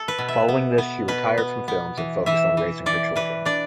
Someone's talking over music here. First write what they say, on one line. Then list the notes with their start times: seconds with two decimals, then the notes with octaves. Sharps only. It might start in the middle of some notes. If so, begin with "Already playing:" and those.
Following this, she retired from films and focused on raising her children.
Already playing: A4
0.08 B4
0.18 B2
0.28 E5
0.48 B3
0.78 B3
1.08 B2 B4
1.38 B3
1.68 B3
1.97 E3
2.26 E3 E5
2.57 E3
2.86 E3 D5
3.16 E3 B4
3.45 D4 D5